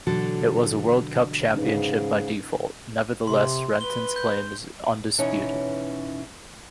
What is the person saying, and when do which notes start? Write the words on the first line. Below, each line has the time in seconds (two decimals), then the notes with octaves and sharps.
It was a World Cup Championship by default - nevertheless Renton's claim is undisputed.
0.07 B2 D3 E3 F#3 F#4 A4
1.54 G#2 C#3 C#4 D#4 B4
3.27 C3 C6
3.81 B4 G7
4.16 G6
5.18 B2 E3 C#4 D#4 C#5